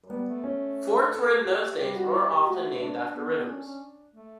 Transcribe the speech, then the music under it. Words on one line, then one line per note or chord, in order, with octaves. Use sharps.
Forts were in those days more often named after rivers.
G3 B3
A3
C#4
A4
G4
G3 G4
F#4
E4
G4
A3 F#4
D4
B3
B3
C#4
C#4
A3